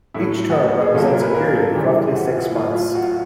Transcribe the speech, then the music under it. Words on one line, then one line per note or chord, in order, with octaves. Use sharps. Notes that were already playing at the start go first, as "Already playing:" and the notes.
Each turn represents a period of roughly six months.
A2 F#3 E4
F#4
G4
G#4
A#2 F#3 A4
A#4
B4
A#4
A4
C#3 E3 G3 G4
F#4
F4
E4
A2 F#3 F4
F4
F#4
F4